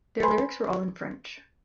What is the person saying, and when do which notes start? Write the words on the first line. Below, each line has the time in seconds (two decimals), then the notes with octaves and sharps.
Their lyrics were all in French.
0.22 B4 C5 G#5 B5 C6